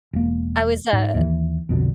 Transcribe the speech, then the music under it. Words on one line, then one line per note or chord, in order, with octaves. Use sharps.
I was, uh
E1 A#3
G#2
D#2 D#3 E3
B1 F2 B2 D3